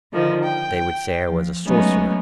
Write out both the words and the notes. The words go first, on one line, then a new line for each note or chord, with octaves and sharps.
'They would say I was a sorcerer.
D3 D#3 F3 D#4
G5
F3
F#3 G#3 A3 B3 C#4 D#4